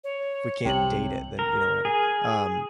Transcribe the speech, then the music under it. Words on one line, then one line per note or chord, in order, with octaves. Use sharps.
if we can't date it, then, you know, whatever. Um
C#5
C2 C3 G5 F#7
A#4
G#4